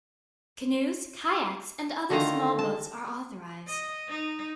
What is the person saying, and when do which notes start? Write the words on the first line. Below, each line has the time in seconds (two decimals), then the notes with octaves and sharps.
Canoes, kayaks, and other small boats are authorized.
2.10 D3 D#3 A3 F4 D#5 A#5
2.59 A5
3.68 D#5
4.09 D#4